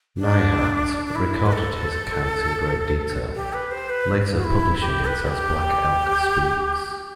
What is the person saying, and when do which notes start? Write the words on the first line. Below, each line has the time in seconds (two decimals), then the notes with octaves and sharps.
Neihardt recorded his account in great detail, later publishing it as Black Elk Speaks.
0.18 D4
1.06 D4
1.15 E4
1.46 B4
1.52 A4
3.35 G4
3.53 B4
3.71 C5
3.89 B4
4.37 F#4
4.44 E4
4.81 G4
5.05 B4
5.29 G4